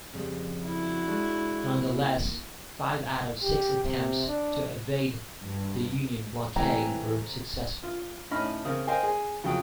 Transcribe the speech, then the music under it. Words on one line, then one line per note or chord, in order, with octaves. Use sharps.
Nonetheless, five out of six attempts to evade the Union blockade were successful.
F2 C#3 G3
E4 F#4
G#3 D4
A#3
G4
C3
D4
G2
C3 E3 A3 G4 C#5 G#5 A#5
F4
A2 C#4 D#4 D#5 B5 F6
C#3 C4 A#4 D#6
C5 D#5 F5 G5 G#5
G#4
F2 C#3 F#3 G5 D#6